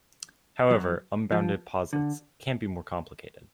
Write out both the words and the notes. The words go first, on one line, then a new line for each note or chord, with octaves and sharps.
However, unbounded posets can be more complicated.
F#3
F3
D3